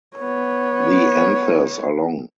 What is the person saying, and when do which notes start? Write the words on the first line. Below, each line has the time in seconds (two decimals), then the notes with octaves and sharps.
The anthers are long.
0.17 B3 C#5